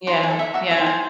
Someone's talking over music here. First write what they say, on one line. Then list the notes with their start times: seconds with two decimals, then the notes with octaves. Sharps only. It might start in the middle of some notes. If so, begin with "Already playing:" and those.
Yeah. Yeah.
0.07 D#4 C6
0.23 G#5
0.31 A4
0.39 E5
0.54 F#4 E5
0.71 E5
0.78 C5
0.86 G#5